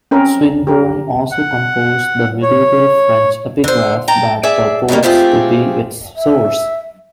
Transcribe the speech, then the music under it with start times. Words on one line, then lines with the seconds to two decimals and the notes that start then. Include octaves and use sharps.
Swinburne also composed the medieval French epigraph that purports to be its source.
0.11 C4 C#4 A#4
0.67 G4 A#4
1.32 F#5
2.42 C#5
3.64 D3 C5
4.08 G5 A5 A#5
4.43 G#4 D5 E5
4.88 B2 D#3 F3 G3 A#3
5.03 A3 C4 F4 G4 G#4
6.15 E5